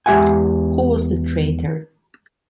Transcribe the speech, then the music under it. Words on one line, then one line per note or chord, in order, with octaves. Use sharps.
Who was the traitor?
E2 G#3 G4 E5 F#5 G#5